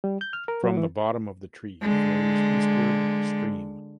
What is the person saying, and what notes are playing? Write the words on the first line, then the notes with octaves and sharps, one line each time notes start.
From the bottom of the tree flows eastward stream.
G3
G6
F6
A#4
F#3
E3
D3 G#3